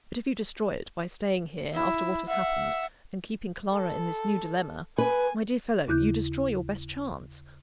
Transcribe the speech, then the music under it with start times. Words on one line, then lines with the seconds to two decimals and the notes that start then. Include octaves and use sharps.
But if you destroy it by staying here, after what has happened, and keeping Clara in this new dilemma--my dear fellow, you destroy your best chance!
1.74 E4
2.28 E5 F#5
3.71 A4
4.98 B4 G#5
5.88 D#2 C#3 E4 F#6 G6